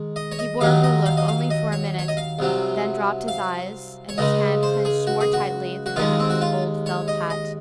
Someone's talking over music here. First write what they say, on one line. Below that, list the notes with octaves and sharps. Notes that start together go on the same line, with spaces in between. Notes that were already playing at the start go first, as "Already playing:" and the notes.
He bore her look only for a minute, then dropped his eyes, and his hand clinched more tightly the rim of his old felt hat.
Already playing: D#3 G#3
D#5
C#5
D#5
D#2 D#3 F#3 F5
D#5
F5
D#5
F5
D#5
C#5
C#5
D#5
F5
C2 C3 F#3
F5
C#5
C#2 C#3 G#3 D#5
C5
G#4
F#4
G#4
F#4
F#4
D#2 D#3 G#3 F4
C4
F#4
F4
C#5
D#5
D#5